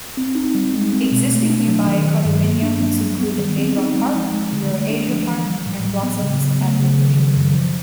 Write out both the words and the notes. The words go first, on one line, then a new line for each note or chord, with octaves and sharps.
Existing nearby condominiums include Avon Park, Euro-Asia Park and Blossoms at Woodleigh.
C4
D#4
G3
G#3
C4
B2
A3
D4
F#3
D#3
F#3
G2
A#3
D4
F#3
G3
B3
D#3
C4
D#4
G#3
F3
G#3
D3
A3
D4
F3
E3
G3
A2
F#3
B3
C#3
F#3
A3
C#3
D#3
F#3
F#2
F3